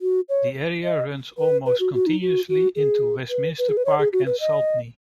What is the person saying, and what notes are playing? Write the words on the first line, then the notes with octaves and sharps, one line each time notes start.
The area runs almost continuously into Westminster Park and Saltney.
F#4
C#5
D#5
B4
B4
F#4
F#4
D#4
F#4
F#4
G#4
B4
B4
G#4
B4
C#5
G#4
F#4
B4
D#5